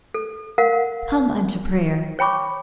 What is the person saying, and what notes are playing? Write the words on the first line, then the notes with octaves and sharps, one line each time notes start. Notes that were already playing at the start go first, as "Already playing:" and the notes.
Come unto prayer!
A4
A#4 F5 F#5
C#5 G5 B5 C#6 D6